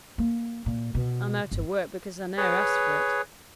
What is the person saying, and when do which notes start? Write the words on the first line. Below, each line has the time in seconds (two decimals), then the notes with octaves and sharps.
I'm out o' work because I ne'er asked for it.
0.18 A#3
0.66 A#2
0.95 B2
1.51 G1
2.37 G#4 B4 C#5